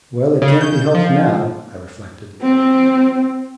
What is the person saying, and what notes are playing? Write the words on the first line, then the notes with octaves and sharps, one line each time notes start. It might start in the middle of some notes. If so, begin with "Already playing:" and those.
"Well, it can't be helped now," I reflected.
C#3
G6
F3
C4